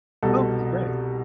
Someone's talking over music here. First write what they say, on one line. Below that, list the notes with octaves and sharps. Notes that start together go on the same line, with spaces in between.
Okay, great.
C2 B2 A4